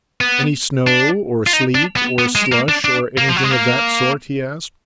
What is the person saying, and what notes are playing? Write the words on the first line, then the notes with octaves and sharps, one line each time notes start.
'Any snow, or sleet, or slush, or anything of that sort?' he asked.
B3
D4
F4
D#4
D4
B3
B3
G#3
A#3
D4
D4
A#3
F3
F#3
G#3
A#3